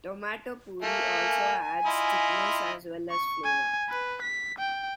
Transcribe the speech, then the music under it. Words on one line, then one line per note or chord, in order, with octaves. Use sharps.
Tomato puree also adds thickness as well as flavour.
A3 A#3 G#5
E4 F4 D#5
C#6
G#5
B4
B6
G5